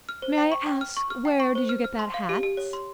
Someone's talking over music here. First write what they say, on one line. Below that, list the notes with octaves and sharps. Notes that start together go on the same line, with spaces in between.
"May I ask where did you get that hat?"
F6
C5
G5
C#6
G5
F6
C#6
F6
G5
C#6
C5
F6
F6
C6
F5
G4
G4
C#5
C6